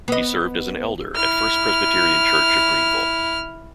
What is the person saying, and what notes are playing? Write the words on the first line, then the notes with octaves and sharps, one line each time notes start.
He served as an elder at First Presbyterian church of Greenville.
B3 D#5
E4 F6